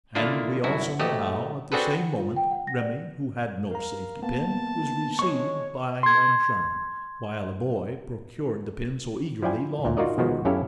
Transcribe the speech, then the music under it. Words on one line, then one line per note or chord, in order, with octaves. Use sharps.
And we also know how, at the same moment, Remy, who had no safety-pin, was received by Moncharmin, while a boy procured the pin so eagerly longed for.
D3 D#3 A#3 D4 E4 F4
C2 F#2 E4 F#4
A#1 A3 F#4 G4 D#5
C4 D4 F#4 G#4 A4 B4
F4
G5
F#5
A#6
D5
A#4 F5 A#5
A#3 B3 A5
G#3 C#5 C#6
C6 G#6
F3 E4 D5 G5 G#5
D2 A#2
D#4 F4 F#4 A#4 D5 D#5
B2 D#3 F3 G#3 B3 F#4
F#2 C#4 E4 G4 A4 F5